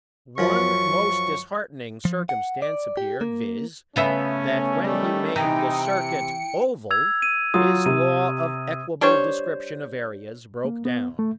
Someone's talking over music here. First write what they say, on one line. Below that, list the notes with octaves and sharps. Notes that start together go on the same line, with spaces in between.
One most disheartening circumstance appeared, viz. that when he made the circuit oval his law of equable description of areas broke down.
F#2 F3 C#6
F3
F#5
D5
G4
A#3
C#3 A3 B3 C#4 E5
D#3 G3 A3 C#4
C3 E3 D#4 G5
C#7
E6 G#6 F7
D#7
F#3 F4 D#6
C3 D#7
G3 D4 C5 C#5
A#3
B3
A3